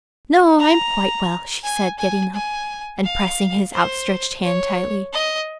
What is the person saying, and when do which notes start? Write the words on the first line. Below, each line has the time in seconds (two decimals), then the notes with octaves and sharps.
"No, I'm quite well," she said, getting up and pressing his outstretched hand tightly.
0.59 A#5
1.64 G#5
1.99 G#5
2.34 G#5
3.03 F5
3.73 C5
4.43 C#5
5.13 D#5